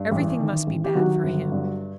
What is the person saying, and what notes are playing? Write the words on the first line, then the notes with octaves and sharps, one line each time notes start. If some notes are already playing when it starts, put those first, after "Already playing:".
Everything must be bad for him.
Already playing: G2
A1
D#3
A1
G4
D#3 F#3 F#4
G1
G2